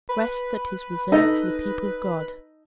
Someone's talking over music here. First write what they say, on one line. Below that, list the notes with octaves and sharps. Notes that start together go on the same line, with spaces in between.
"Rest that is reserved for the people of God."
B4
D#4 A4 D#5